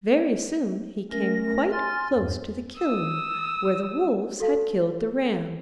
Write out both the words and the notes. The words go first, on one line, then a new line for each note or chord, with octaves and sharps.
Very soon he came quite close to the kiln, where the wolves had killed the ram.
A3 C#4 A#4 A#6
G#5 C6 F6 A6
E2 G2
D#6 E6
F#4 A4 B4 F5 A5